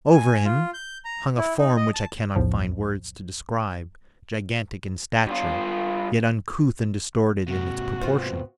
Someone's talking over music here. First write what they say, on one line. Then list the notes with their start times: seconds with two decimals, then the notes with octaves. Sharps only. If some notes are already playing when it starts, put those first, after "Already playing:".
Over him hung a form which I cannot find words to describe--gigantic in stature, yet uncouth and distorted in its proportions.
0.13 G#5
0.45 F4
0.74 G6
1.05 A#5
1.37 E4
1.58 D#4
1.76 D#5
1.94 A5
2.36 B1 E2 A2 F3
5.27 G2 F4
7.48 G#2 C3 F#4
8.02 B3 C4 F4